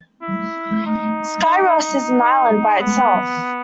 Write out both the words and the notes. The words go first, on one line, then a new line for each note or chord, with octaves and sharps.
Skyros is an island by itself.
E4
D#4
B3